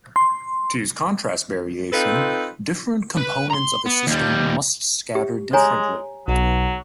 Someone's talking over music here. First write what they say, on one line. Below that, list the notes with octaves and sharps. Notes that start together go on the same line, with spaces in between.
To use contrast variation, different components of a system must scatter differently.
C6
C4 D#4 F4 A4 B4
B4
A#5 C6
B3
D#2 G3
G4
G#3 C#5 G#5 A#5
B1 F#3